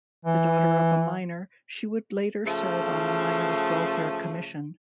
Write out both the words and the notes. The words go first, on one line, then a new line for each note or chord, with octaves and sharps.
The daughter of a miner, she would later serve on the Miners' Welfare Commission.
E3
C#3 F3 A3